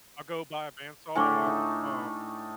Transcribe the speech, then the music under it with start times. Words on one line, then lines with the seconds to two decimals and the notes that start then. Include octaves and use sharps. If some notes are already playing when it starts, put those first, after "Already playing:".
I'll go buy a band saw and I w um
1.15 A2 D3 A3 G#5 C#6 D6
1.47 D#4